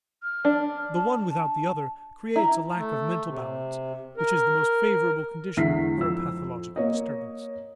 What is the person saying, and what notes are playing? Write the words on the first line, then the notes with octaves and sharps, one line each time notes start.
The one without the other creates a lack of mental balance which is the most favorable condition for a pathological disturbance.
F6
D4
A5
E4 A#5
A3
C3
A#4
E2 D3 G#3 E5 B6 C7
F2 E6
A#3 C#5 D#5